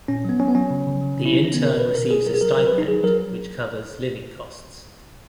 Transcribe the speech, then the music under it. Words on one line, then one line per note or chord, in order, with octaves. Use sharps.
The intern receives a stipend which covers living costs.
A#2 C#4
F#3 B3
F#3 C#4
B3
F#3 C#4
C#3
C#3
F#3
C#3
E4
C#3 D#4
C#3 C#4
B3
A#2 A#4
A#2 B4
B2 A#4
B2 G#4
F#3 A#4
G#4
F#3 A#4
F#3 A#4
B4
F#3
D#4
F#3 G#4
F#3 A#4